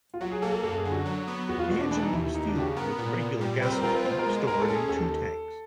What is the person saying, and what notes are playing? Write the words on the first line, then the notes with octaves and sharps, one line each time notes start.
The engine was fueled with regular gasoline stored in two tanks.
F4
F#3 F#4
G#4
A#3 A4
A4
F#2 A4
G#4
D3
F#4
F#3
B3
E2 F#4
F4
B2 F#4
D4
E3 D4
D#4
D#2 E4
E4
D#2 D#4
D4
C#3 G4
F#4
B3 A#4
A#2
A#2
G3
C4 B4
A#4
F4 A#4
B4
B2 C5
A#4
G#3
G#3 A#4
A4
C#4
G#4
D#2 A4